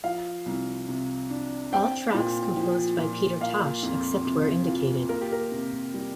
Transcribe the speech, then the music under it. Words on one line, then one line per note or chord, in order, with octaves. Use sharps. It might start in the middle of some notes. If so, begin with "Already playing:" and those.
All tracks composed by Peter Tosh except where indicated.
F3 F5
C2
C3
D4
C4 G5
A#2
F3
A#2
A#3 F5
F2
C3
F4
A#3 A#4
G4
A#4
C3
G3